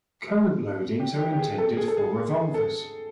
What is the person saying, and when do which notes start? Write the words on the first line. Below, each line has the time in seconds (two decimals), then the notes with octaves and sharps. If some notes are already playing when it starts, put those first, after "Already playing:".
Current loadings are intended for revolvers.
1.00 G4
1.19 G4
1.33 G4
1.39 G#4
1.58 A4
1.77 G#4
1.88 A4
1.97 G#4
2.54 A4